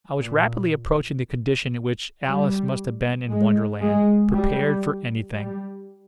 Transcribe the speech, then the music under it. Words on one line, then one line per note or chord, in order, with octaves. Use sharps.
I was rapidly approaching the condition in which Alice must have been in Wonderland--prepared for anything.
A#2
G3
G#3
G#3
G3
G3